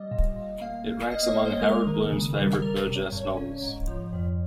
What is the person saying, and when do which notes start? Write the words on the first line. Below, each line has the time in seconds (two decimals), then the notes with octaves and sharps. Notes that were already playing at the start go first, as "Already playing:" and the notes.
It ranks among Harold Bloom's favourite Burgess novels.
Already playing: G3 D#5
0.11 A#2
0.36 A#2
0.61 A#3 F5
0.86 A#3
1.11 A#3 D#5
1.23 D#5
1.29 C#5
1.37 A#3
1.45 C5
1.61 G#3 A#4
1.87 D#3
2.12 C#3
2.37 G3
2.62 G3 A#4
2.87 C3
2.96 C#5
3.12 G2 C#5
3.37 C#4
3.62 G#2
3.87 F3
4.13 F2